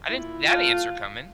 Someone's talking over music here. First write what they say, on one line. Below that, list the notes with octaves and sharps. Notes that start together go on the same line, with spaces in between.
I didn't see that answer coming.
A#2 E4
A3 F4